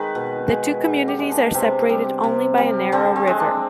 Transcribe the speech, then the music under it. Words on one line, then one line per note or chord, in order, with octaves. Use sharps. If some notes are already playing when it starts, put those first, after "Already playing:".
The two communities are separated only by a narrow river.
Already playing: D#3 G#3 D#4 G#4 B4
B2
G#3
B2 G#4
G4
G#3
D4
C3 C4
G3
C3
G3
D3 C4
C4
G#3
D4